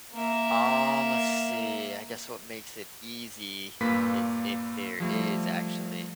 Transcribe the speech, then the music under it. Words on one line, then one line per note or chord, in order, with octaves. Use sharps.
Um, let's see, I guess what makes it easy is if there is actually,
A#3 E5
G2 A#2 A#3 B4 B6
F3 G3 A3